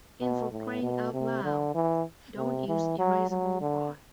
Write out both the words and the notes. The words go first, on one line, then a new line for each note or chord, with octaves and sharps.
And for crying out loud, don't use erasable bond.
B2
A2
B2
C3
D3
E3
C3
E3
F#3
F#3
D3